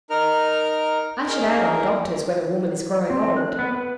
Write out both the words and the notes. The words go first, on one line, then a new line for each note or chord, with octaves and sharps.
I should add on doctors when a woman is growing old.
D#4 A#4 F6
D#4 G#4 A#4
C4
F#6
B3
B4